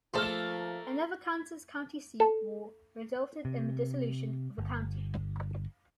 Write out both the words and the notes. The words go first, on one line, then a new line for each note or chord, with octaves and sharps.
Another Kansas county seat war resulted in the dissolution of a county.
F3 A3 A#3 F4 G#4 A4 C5 F6
A4
C3
G1